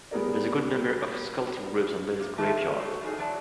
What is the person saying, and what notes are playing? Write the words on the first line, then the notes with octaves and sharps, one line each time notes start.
There is a good number of sculpting groups on Lleida’s graveyard.
G3 B3 G#4 A#4 D5
A#3
D#3 F3 A3 A5
C#4
F#4 A4 C5
F#2 A2 D#4 G#4
E3 F#3 G#3 D5 A5